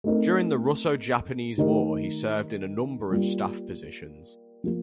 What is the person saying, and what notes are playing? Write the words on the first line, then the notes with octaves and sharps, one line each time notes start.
During the Russo-Japanese War, he served in a number of staff positions.
A3 C4 D#4 A#4
D#3 A3 D#4 G4 A#4
G3 A#3 F4
F3 A#3